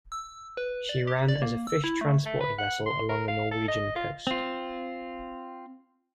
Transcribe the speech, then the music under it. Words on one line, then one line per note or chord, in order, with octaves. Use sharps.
She ran as a fish transport vessel along the Norwegian coast.
E6
B4
D5
G4
D5
A#3
E6
E4
A3
A3
B4
F#5
C6
A#4
F5
A4
D#5
F4
C4 F4